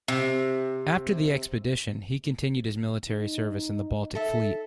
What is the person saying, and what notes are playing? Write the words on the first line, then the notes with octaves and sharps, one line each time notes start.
After the expedition, he continued his military service in the Baltic Fleet.
C3
D#4
A4 E5